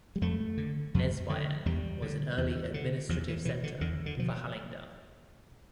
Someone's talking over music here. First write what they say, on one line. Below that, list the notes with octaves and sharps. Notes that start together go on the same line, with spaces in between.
Nesbyen was an early administrative center for Hallingdal.
G3
F2 A3
D3
F2
D3
E2 G3
D3
E2
D3
E2 F3
E3
B2 E3
D3
E2 D3
D3
B2 F3